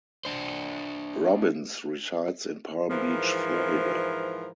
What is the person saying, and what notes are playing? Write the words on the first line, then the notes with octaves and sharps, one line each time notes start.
Robbins resides in Palm Beach, Florida.
D4 C5
G#2 E3 F3 A#4